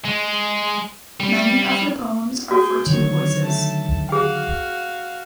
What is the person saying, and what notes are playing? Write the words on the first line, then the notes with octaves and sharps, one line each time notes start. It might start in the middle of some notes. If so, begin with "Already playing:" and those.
Many of her poems are for two voices.
G#3
G3
F#4 G#4 G5
D3 D#3 F#3 C#5
A3 A5
F#4 G#4 F5 G5